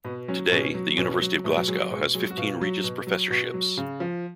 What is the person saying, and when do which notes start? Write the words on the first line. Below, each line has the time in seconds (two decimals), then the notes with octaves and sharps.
Today, the University of Glasgow has fifteen Regius Professorships.
0.05 B2 B3
0.28 F#3 C#4
0.52 B2 C#4
0.74 F#3
0.97 B2 C#4
1.22 F#3
1.44 B2 A3
1.56 F#3
1.68 F#3 G#3
1.80 F#3
1.91 B2 G#3
2.14 F#3 G#3
2.30 F#4
2.37 B2 F4
2.61 F#3
2.84 B2
3.07 F#3
3.30 B2 F#4
3.54 F#3
3.77 C#3
4.00 F3